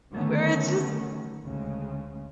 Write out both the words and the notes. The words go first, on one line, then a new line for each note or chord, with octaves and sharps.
we were just
D3 D#3 F#3 A3 B3 C#4
D2 C#3 G#3